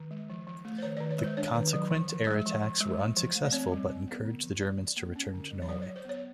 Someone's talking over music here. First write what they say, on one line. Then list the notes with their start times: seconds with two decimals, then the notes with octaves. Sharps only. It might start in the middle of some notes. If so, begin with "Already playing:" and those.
The consequent air attacks where unsuccessful but encouraged the Germans to return to Norway.
Already playing: D#3
0.11 G#3
0.30 F3
0.47 F3
0.65 A3
0.78 C5
0.82 D#3 C#5
0.97 D#3 D5
1.11 C#5
1.18 G#3
1.24 C5
1.37 D4 C#5
1.55 D#3
1.73 F#3
1.91 F3
2.10 F3
2.27 G#3
2.46 F3
2.63 F3
2.81 G#3
2.99 F3
3.16 F3
3.35 A3
3.45 D5
3.53 C4 C#5
3.72 G3
3.89 C4
4.07 B3
4.25 D3
4.43 F3
4.61 F3 D5
4.80 F3
4.97 A#3
5.16 C#4
5.34 D3
5.51 F#3
5.62 C#5
5.69 F#3 D5
5.82 C#5
5.87 F#3
5.96 C5
6.05 B3 C#5